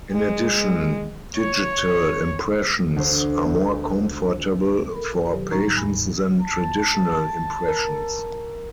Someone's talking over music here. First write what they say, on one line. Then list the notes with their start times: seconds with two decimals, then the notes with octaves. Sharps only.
In addition, digital impressions are more comfortable for patients than traditional impressions.
0.12 G#3
1.37 C#5
2.96 D2 C5
4.95 A4 A#4 B5
5.32 B2 D#3 F#3 G4
5.51 A2 G3 D#4 A#5 C#6
5.76 E2 A2 G#5 B5 A#6
6.42 A5
7.68 A#4